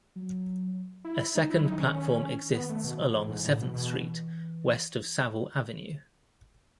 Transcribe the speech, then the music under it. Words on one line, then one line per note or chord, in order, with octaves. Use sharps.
A second platform exists along Seventh Street west of Saville Avenue.
F#3
E4
G#3 D#4
E4
F#3
D#4
D#3
C#4
B3
A3
B2
B2
A2 E3
G#2
A2
B2
B2